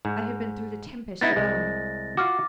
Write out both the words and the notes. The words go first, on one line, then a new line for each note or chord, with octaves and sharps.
I have been through the tempest alone.
G#2
B3 D#4 E4 A6 A#6
C2 G#3
F4 F#4 D6 F6